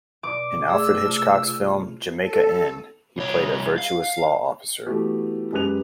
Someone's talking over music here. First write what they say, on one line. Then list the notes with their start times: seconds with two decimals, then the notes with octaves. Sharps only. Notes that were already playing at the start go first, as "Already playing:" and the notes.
In Alfred Hitchcock's film "Jamaica Inn", he played a virtuous law officer.
0.23 B2 D5 D6
0.70 A3 G#4 D5 E6
1.06 C3 A3 F4
1.47 F4
2.21 A4
3.18 C2 C#5
3.78 F5
4.86 E3 A3 B3 F#4 G4
5.53 F#2 G#3 G4 B4 F#6 F7